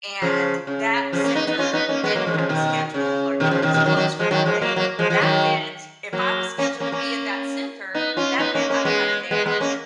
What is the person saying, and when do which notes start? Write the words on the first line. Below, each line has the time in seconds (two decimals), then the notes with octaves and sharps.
and that center didn't have a schedule or d was closed for that day, that meant- if I was scheduled to be at that center- that meant I had a day off.
0.22 C#3 F3
0.67 C#3
1.13 C#3 F3
1.24 A#3 C#4
1.35 B3 D#4
1.47 B3 D#4
1.58 C#4 F4
1.73 B3 D#4
1.89 A#3 C#4
2.04 G#3 B3
2.15 F#3 A#3
2.27 F3 G#3
2.34 D#3
2.38 C#3 F3
2.49 B2 D#3
2.94 C#3
3.40 B2 D#3
3.51 C#3 F3
3.62 B2 D#3
3.74 B2 D#3
3.86 D#3 F#3
3.97 D#3 F#3
4.19 F3 G#3
4.31 D#3 F#3
4.46 F3 G#3
4.62 F#3 A#3
4.76 F#3 A#3
4.99 F3 G#3
5.10 F3 G#3
5.21 D#3 F#3
6.13 F#3 A#3
6.58 A#3 C#4
6.80 A#3 C#4
6.92 A#3 C#4
7.94 B3 D#4
8.17 C#4 F4
8.39 B3 D#4
8.55 A#3 C#4
8.70 A#3 C#4
8.85 G#3 B3
9.31 G#3 B3
9.46 G#3 B3
9.60 A#3 C#4